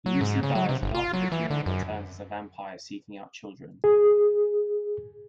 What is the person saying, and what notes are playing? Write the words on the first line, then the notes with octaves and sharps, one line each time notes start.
Lucy dies and after the funeral returns as a vampire seeking out children.
F#3
G#2
C#3
F#3
C3
G1
F4
F#3
E3
D3
F#2
G#4